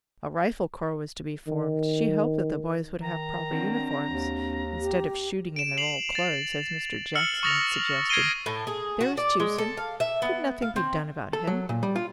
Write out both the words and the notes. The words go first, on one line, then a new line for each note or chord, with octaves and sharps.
A rifle corps was to be formed: she hoped that the boys would have proper uniforms, instead of shooting in their old clothes, as Mr. Jackson had suggested. There was Tewson; could nothing be done about him?
D#3
D#3 A#5
C4 D4 F#4
D#2
G4
D7 E7
C7 F7 F#7
A6 F7
E6 F6 C#7 F#7
C#6 D#6 A6 A#6 F7
G#6 A#6 C7 D7 D#7 G7
A2
G#4
F#4
D5
G#3
A4
F5
E5
B3
F5
C4
A4
F#3
A#2
G3
F4